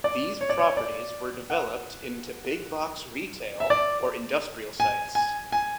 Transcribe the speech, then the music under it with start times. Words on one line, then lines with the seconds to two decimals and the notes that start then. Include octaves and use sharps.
These properties were developed into big-box retail or industrial sites.
0.04 D5
0.41 C#5
0.50 D5
0.59 C#5
0.77 D5
1.50 F#5
3.60 E5
3.70 D5
4.80 G#5
5.15 G#5
5.52 G#5